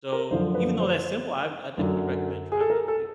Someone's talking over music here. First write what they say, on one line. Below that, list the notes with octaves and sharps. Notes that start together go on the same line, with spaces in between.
so, even though that's simple, I've I definitely recommend trying that too.
A#4
F#2 D3 F3 C5
B4
C5
F#2 D3 F#3
G#4
A4
A#4
A4